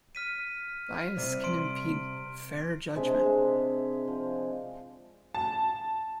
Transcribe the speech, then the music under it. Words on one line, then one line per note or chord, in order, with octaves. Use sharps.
Bias can impede fair judgment.
F6 B6 D#7
C3 G3
C6 D7
C3 G#3 D4 E5
F3
A5